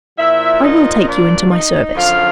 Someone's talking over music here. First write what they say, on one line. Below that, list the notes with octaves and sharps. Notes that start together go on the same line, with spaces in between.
I will take you into my service.'
A#2 F3 E4 E5
D#4 D#5
D4 D5
D#4 D#5
F#2 D3 F3 F4 F5